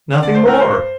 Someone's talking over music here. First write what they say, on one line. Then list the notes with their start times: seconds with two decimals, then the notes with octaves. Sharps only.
Nothing more.
0.22 D3 D5
0.35 C5
0.45 A3 C4 E4 A#4
0.60 C5
0.67 G2